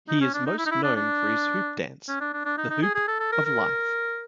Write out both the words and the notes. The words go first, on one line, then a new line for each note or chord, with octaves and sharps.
He is most known for his hoop dance, The Hoop of Life.
D#4
C#4
D4
D#4
E4
D#4
E4
D4
D4
C#4
D4
D4
D4
D#4
D#4
G#4
G#4
A4
A4
A#4
A#4